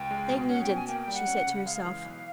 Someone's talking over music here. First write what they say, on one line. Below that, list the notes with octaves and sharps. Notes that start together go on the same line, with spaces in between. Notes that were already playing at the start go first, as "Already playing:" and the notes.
"They needn't," she said to herself.
Already playing: C#2 G5
G#3
B2
C#4 F#5
G5
B2
G#5
A#3 G5
G5
G3
F#5
C#4
C#3
G#3 F5
E3
B1